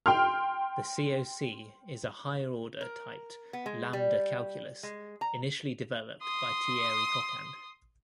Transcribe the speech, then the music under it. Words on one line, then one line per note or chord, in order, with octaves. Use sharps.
The CoC is a higher-order typed lambda calculus, initially developed by Thierry Coquand.
G5 C6 F6
A#4
B3
G#3
G3
G#3
A#5
C6 D#6